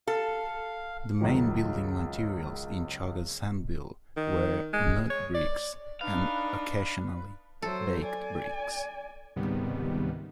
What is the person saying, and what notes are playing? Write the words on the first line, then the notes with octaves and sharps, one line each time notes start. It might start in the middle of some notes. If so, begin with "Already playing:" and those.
The main building materials in Chogha Zanbil were mud bricks and occasionally baked bricks.
A4 F5
C#2 F#2 D#3 F3
D#3
G#3
C#5
D5
D4 D#4 B4 F5
F#3 A4 C5
D5 G#5
C#2 G#2 C3 D#3 G3 B3